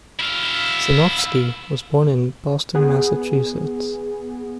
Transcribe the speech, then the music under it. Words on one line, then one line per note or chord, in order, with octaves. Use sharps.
Sinofsky was born in Boston, Massachusetts.
E4 F5
B3 G#4